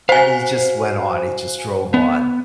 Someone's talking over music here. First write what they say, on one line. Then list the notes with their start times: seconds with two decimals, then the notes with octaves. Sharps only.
And he just went on. He just drove on.
0.09 F#4 C5 F5 G#5
1.94 B3